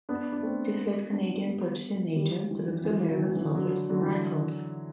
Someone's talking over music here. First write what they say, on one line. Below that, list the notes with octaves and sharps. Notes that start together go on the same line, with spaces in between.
This led Canadian purchasing agents to look to American sources for rifles.
B3 D4
D4
A3 C4
B3 D4
G3 B3
E3 G3
E3
F#3
E3
F#3
E3
F#3
E3
F#3
E3
F#3
E3
D3 F#3
D3 F#3
E3